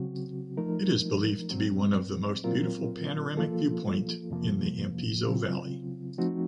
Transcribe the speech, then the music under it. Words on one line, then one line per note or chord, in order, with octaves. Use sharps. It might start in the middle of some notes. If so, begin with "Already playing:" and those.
It is believed to be one of the most beautiful panoramic viewpoint in the Ampezzo valley.
Already playing: C#3 F#3 C4 F#4
F3 A3 D#4 A#4
A#2 F#3 C4
A#2 F#3 C4 F4 A#4
F3 A#3 F4 A4
F2 C3 F3 A#3
C#3 F#3 C4 F4
F3 A3 C4 D#4 F#4